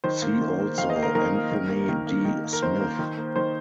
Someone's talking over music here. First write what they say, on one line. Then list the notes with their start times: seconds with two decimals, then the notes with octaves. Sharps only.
See also Anthony D Smith.
0.04 D#3 C5
0.22 A#3
0.41 D#3
0.59 A#3
0.78 D#3 F5
0.90 D#5
0.96 A#3
1.03 A#4
1.15 D#3 A#4
1.33 A#3
1.51 D#3
1.70 A#3
1.89 D#3
2.07 A#3
2.25 D#3
2.44 A#3
2.53 A#4
2.62 D#3 C5
2.80 A#3
2.99 D#3
3.18 A#3
3.36 D#3 C5